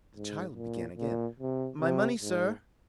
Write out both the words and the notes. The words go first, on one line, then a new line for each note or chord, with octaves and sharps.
The child began again, "My money, sir."
G#2
A#2
A#2
C3
C3
G#2